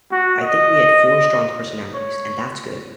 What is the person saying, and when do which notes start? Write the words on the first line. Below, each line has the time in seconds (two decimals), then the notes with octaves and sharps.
I think we had four strong personalities, and that's good.
0.12 F#4
0.42 D#5
1.94 C#5